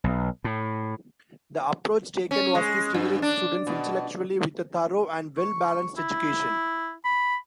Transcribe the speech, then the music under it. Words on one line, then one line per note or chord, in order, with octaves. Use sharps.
The approach taken was to stimulate students intellectually with a thorough and well-balanced education.
B1
A2
C#4
G#3
G2
D4
B2
C#6
E4
B5